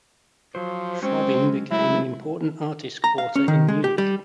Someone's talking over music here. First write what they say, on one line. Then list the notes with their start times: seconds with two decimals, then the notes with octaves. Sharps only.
Schwabing became an important artists' quarter in Munich.
0.55 F3 F#3 C5
1.02 F#3 G#3 C4 C#4
1.71 F#3 G#3 A3 E4
3.04 A#5
3.18 F5
3.36 C#4
3.48 D#3
3.68 G#3
3.84 G4
3.98 G3